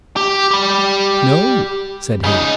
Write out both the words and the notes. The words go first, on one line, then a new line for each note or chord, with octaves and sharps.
"No," said he.
G4
G4 B5
C#3 D#4